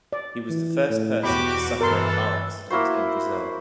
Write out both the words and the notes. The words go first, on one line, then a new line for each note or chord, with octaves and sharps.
He was the first person to suffer a car accident in Brazil.
D5
E3
A2
E2 B2 F#4 G4 B5 D6
G2 E3 A4 A#4 C6
A#3 E4 F#4 C5